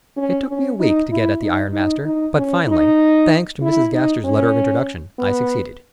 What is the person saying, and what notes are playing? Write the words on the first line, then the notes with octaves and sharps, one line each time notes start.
It took me a week to get at the iron-master; but finally, thanks to Mrs. Gaster's letter of introduction, I succeeded.
C#4
C#4
D#4
E4
D#4
D#4
D#4
C#4
D#4
E4
D#4
C#4
B3